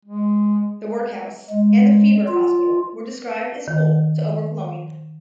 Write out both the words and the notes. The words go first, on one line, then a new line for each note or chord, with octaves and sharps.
The Workhouse and the Fever Hospital were described as full to overflowing.
G#3
G#3
F4
D#3